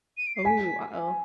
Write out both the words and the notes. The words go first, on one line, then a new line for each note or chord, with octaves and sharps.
Oh, uh-oh.
D#7
D7
C7
G#5 B6